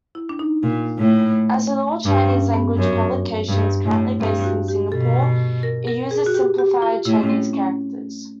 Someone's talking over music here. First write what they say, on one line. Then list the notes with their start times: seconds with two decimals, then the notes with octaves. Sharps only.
As with all Chinese-language publications currently based in Singapore, it uses simplified Chinese characters.
0.15 E4
0.29 D4
0.39 D#4
0.63 A#2
0.99 A2
2.05 G2 D4
2.30 C#4
2.54 B3
2.77 F#2
3.49 G2
3.85 A2
4.20 G2 C4
4.44 F#4
4.68 G4
4.91 B2 A4
5.63 A#4
5.87 A#4
6.11 G#4
6.26 F#4
6.34 G4
6.58 G4
6.82 F4
7.05 A2 E4
7.21 C#4
7.30 C4
7.53 C#4